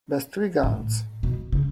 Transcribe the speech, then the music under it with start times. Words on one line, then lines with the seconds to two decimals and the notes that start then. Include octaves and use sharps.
Best regards.
0.63 A2
1.23 B2
1.52 C#3